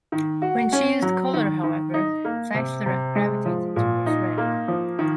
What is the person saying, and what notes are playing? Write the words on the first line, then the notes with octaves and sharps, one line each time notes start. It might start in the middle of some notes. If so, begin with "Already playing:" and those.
When she used color, however, Zeisler gravitated towards red.
D#3
F#4
C#4
F#3
D#3
D#3
D#4
A#3
C3
C3
G#3
F3
A#2
D#4
A#3
F3
D#3